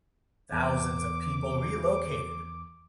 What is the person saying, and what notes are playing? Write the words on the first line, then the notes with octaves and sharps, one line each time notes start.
Thousands of people relocated.
E2 D6